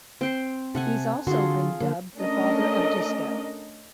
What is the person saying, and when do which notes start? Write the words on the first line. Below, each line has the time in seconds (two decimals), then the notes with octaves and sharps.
He has also been dubbed the "Father of Disco".
0.21 C4 G5 C6
0.75 C3 A4 F#5 G#5
1.27 D3 F4 F#4 G#4 C6
1.81 D3 A#3
2.16 A3 C#4 D4 A#4 D#5